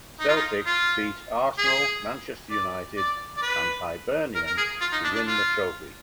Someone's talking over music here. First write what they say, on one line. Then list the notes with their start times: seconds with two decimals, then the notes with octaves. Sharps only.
Celtic beat Arsenal, Manchester United and Hibernian to win the trophy.
0.20 D#4
0.29 F4
0.36 D#4
0.66 F4
1.58 G#4
2.51 D5
2.97 D5
3.37 D5
3.43 B4
4.35 A#4
4.47 A#4
4.58 G#4
4.81 F4
4.92 D#4
5.04 D4
5.15 D4
5.27 F4